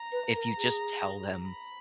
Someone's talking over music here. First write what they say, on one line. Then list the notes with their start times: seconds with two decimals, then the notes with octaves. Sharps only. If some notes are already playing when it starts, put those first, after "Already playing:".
if you just tell them,
Already playing: A#5
0.12 B4
0.36 A#4
0.58 G#4
1.47 B5